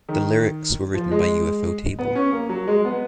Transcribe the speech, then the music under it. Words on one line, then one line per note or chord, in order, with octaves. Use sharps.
The lyrics were written by ufotable.
D#3
F3
G#3
B3
C#4
A#3
F#3
G#3
B3